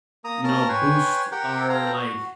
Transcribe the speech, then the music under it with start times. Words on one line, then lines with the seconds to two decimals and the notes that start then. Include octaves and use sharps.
"you know, boost our, like,
0.25 A#3 A#5 D#6
0.44 A#3 C#4 A#4 A5 A#5 F6
0.69 B4 C#5 G5 G#5 C6
1.32 G4 A#4 F#5 G5
1.69 A4 C5 F5 G5 A#5
1.93 F#4